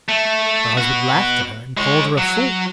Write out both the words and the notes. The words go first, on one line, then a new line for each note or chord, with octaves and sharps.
Her husband laughed at her, and called her a fool.
A3
B3 F#4
G#3 C#5
F#3